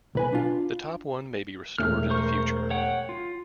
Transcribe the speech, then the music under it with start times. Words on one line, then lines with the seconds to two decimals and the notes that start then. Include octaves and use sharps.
The top one may be restored in the future.
0.15 B1 B4 G#5
0.32 D4 F4
1.78 E1 A3 F6
2.10 A#4 C5 C#6
2.70 C#5 F#5 G5
3.09 F4